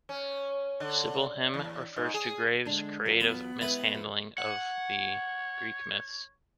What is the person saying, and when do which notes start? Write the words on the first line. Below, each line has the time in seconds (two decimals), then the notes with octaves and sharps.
Sibylle Him refers to Graves' creative mishandling of the Greek myths.
0.09 C#4
0.80 D3
1.54 E2
1.96 G#2
2.14 G#4
2.66 D3 G#3 D4
3.05 E2 F#3 F4
3.20 B3 B5
3.61 G#3 E4 B4
3.94 E2 F3
4.38 C#5 F#5